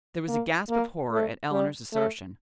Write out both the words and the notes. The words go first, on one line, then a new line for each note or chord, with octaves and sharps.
There was a gasp of horror at Eleanor's assertion.
A#3
A#3
A3
G3
A3